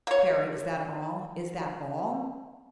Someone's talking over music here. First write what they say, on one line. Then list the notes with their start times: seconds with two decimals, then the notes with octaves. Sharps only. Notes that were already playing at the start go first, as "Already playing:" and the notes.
"Parry, is that all?--is that all?"
0.07 A#3 C#5